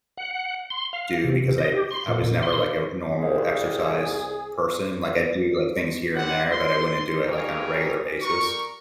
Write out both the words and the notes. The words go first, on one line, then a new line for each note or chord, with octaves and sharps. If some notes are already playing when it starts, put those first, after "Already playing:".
do because I I was never, like, a normal exercise person. Like, I do, like, things here and there, but I wouldn't do it, like, on a regular basis,
F#5
C6
F5
C3
D#5
G4
C6
A#2
A#2
C6
C2 G#4
G3 C4 C5 F#5
C6
G3 G4 G#4 A#4 C#5
G3 A#4 C#6